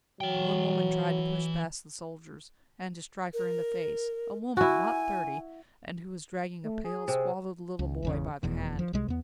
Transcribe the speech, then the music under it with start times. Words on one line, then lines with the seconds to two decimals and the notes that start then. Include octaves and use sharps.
One woman tried to push past the soldiers, and to strike her in the face--a woman! not thirty!--and who was dragging a pale, squalid little boy by the hand.
0.21 E3 F#3 G5
3.34 A#4
4.57 E4 F#4 G#5
6.64 A3
6.85 G#4
7.08 C3
7.79 C#2
8.02 G#1 E2 C#3
8.43 F1 E2 B2
8.79 F3
8.93 C2 C3 G#3
9.08 E2 B3